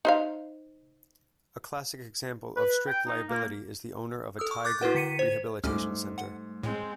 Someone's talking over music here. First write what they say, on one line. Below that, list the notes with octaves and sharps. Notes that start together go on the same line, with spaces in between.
A classic example of strict liability is the owner of a tiger rehabilitation center.
D#4 C5 F5
B4
G5
D#4
A#3
A4 D#6 E6
C#6
D6 F#6 G6 A6
E4 F#4 B4 F#5
D3 B6 C#7 D#7
C5
D2 G#2 G3 A3 C#4 D6 F6
F#5
A2 G#3 C4